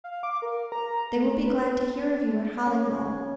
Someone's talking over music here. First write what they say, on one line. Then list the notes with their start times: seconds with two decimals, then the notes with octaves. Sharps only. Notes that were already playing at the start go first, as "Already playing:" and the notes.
They will be glad to hear of you at Hollywell.
0.04 F5
0.23 D6
0.42 A#4
0.72 A#5
1.16 A3
1.46 B4
2.66 C#4